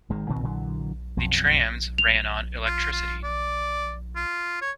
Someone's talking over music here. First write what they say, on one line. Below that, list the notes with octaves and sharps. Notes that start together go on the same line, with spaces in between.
The trams ran on electricity.
G#1 D#3 G#3
D2 A#2 D#3 C4
A#2 D3 E3 F#3
B1 F2
F7
F4
F4
D5
F4
C#5